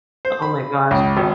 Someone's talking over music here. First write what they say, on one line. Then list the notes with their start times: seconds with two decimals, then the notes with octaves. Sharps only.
Oh my gosh.
0.25 C5
0.42 B5
0.91 C#2
1.17 G#1